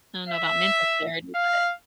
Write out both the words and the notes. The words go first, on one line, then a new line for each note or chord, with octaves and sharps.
I don't know about mental clarity, but
E5
F5